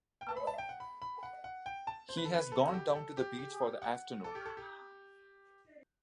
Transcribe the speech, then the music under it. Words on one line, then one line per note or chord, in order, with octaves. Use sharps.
He has gone down to the beach for the afternoon.
G5
A5
B5
A5
G5
F#5
B5
B5
F#5
F#5
G5
A5
C5
B4
A4
B4
A4
F#4
G4
G4
A4
G4
G4
F#5
A4
G4
A4
G4